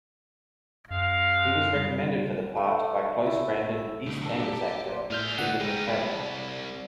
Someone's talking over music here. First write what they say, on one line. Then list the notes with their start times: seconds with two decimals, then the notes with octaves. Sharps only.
He was recommended for the part by close friend and "EastEnders" actor Steve McFadden.
0.91 F#2 G#3 F5
1.75 G3
2.57 A3
3.26 E4
4.06 C#3 A3
4.21 A2 D4 A4 A#5
4.40 G4
4.87 A#3 C5 D5
5.10 A2 G#4 E5 F6 G6
5.38 D3 B4 F#5 G6
5.60 G#3 D#4 B4 G5 F6
5.88 C2 D5 A5 B5